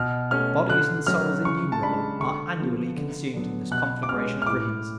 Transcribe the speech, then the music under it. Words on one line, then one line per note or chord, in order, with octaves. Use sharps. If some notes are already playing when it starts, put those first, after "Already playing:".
Bodies and souls innumerable are annually consumed in this conflagration of ribbons.
Already playing: B2 F6
A3 C#4 F6
D3 F#6
F#3 C#4 F6
C#3 C#6
A5
G#3 D4 B5
D3 C#6
F3 B3
D3
F#3 B3 D4
B2 F#6
D6
G#3 C#4 F6
F6
A2 D6